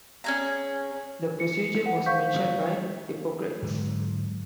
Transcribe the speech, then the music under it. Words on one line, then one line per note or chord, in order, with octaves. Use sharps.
The procedure was mentioned by Hippocrates.
C#4 G#4 A#5
C#7
F#5
C5 F5 C#6 G6 B6
G#2 D3 F#3